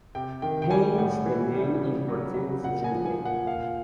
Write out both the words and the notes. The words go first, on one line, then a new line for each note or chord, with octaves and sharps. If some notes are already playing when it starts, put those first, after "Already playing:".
Hence the name importance sampling.
C3 G5
D#3 G5
G5
G3 G#5
A2 F#5
E3
G3
C#3
F#3
C#3
A#2 F#5
G#5
F3
G#5
A#2
F#5
A#2 F5